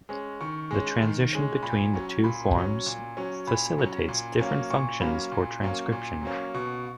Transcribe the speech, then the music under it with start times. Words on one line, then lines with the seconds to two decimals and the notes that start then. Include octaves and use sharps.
The transition between the two forms facilitates different functions for transcription.
0.09 G#3 C#4
0.41 D#3 C#6
0.71 G#3 C#4
1.02 D#3
1.33 G#3 C#4
1.63 A#2 B5
1.93 F#3 C#4
2.24 A#2 B5
2.54 F#3 C#4
2.86 A#2
3.17 F#3 C#4
3.47 A#2 B5
3.78 F#3 C#4
4.08 A#2
4.39 F#3 A#3 C#4
4.70 A#2 C#6
5.00 F#3 A#3 C#4 B5
5.32 A#2
5.61 F#3 A#3 C#4
5.92 A#2
6.23 F#3 A#3 C#4
6.54 B2 C#6